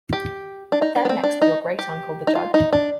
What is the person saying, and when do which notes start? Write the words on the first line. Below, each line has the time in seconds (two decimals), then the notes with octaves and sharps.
Put them next to your great-uncle the judge.
0.13 G4
0.72 D4
0.82 D#4
0.96 D4
1.05 B3
1.09 C4
1.24 D4
1.42 D#4
1.79 G4
2.27 D#4
2.35 F4
2.54 D#4
2.73 D4